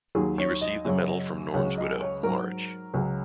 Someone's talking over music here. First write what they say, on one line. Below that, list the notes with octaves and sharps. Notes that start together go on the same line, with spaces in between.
He received the medal from Norm's widow, Marj.
D#2 D#3 F#3 G#4
C#5
D#5
F#2 C#3 F#3
C#2 C#3 F#3 C#5
D#5
C#5
G#2 F#3 A#4
C#2 C#3 F#3